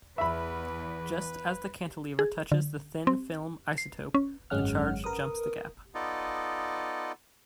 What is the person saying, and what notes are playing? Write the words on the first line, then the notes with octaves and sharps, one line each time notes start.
Just as the cantilever touches the thin-film isotope, the charge jumps the gap.
E2 B4 E5 B5
G#4
D3
C4
C7
C#4
G#1 F#2 G#3 C#4 F#5 F6
A#4 B4 D#6
B3 D#4 F4 A4 D5 D#5